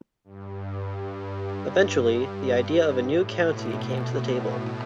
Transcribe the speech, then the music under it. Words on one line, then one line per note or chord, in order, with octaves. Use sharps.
Eventually, the idea of a new county came to the table.
G2
G2
A2
B2